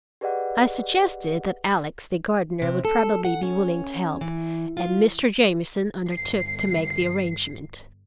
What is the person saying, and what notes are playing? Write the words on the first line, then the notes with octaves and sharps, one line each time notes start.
I suggested that Alex, the gardener, would probably be willing to help, and Mr. Jamieson undertook to make the arrangement.
G4 G#4 B4 D5 D#5 F#5
C3
A4
F#5
C#4
E3
F4
G1 C7